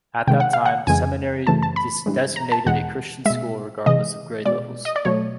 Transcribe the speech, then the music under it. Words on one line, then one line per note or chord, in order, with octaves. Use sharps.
At that time, "seminary" designated a Christian school regardless of grade levels.
C3 D#3 G#3 G5
F#5
F5
F#5
F2 C#3 E3 G#3 G#5
F#2 C#3 E3 A3 A5
A5
B5
G2 E3 G#3
A#5
A5
E2 B2 G#3 F#5
B2 G#3 E5
C3 E3 G#3 D#5
B2 G#3 D5
D#5
D5
B2 F#3 A3 C#5